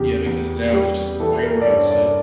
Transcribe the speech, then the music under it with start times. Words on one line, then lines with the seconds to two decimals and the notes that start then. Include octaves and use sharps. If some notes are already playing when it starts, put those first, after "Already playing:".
Yeah, because now it's just brain rot stuff.
Already playing: E2 C#3 G4
0.26 E2
0.72 G3 G4
1.20 E3 A4
1.43 A#4
1.62 D5
1.66 G2 C#5
1.91 D5